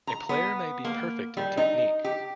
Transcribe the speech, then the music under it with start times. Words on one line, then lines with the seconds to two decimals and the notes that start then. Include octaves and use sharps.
A player may be perfect in technique.
0.07 A#5
0.29 B3
0.85 A#3
1.37 G3
1.57 D#4
2.04 G4